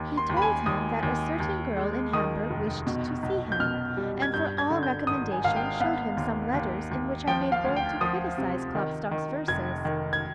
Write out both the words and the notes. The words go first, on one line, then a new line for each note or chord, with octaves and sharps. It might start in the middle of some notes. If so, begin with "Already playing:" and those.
He told him that a certain girl in Hamburg wished to see him, and for all recommendation showed him some letters in which I made bold to criticise Klopstock's verses.
Already playing: D#2
C6
D#2
B5
G#5
D#2 D#6
D#2
D#2
G#3
D#3 D#6
F1
B2
B1
G6
B2 F6
G3
G#6
G2 G6
G#6
D3
G6
G#1 D#6
G#5
G#1 F5
G5
B3 F5
D#2
D#2
D#2
F3 G5
F5
D2
G5
F3 D#6
C3
D#3
D#3
F1 G#6
D#3
G#6